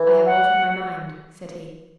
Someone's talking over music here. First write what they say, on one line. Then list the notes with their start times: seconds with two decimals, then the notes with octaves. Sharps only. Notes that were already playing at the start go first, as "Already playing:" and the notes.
"I have altered my mind," said he.
Already playing: E3
0.26 F#5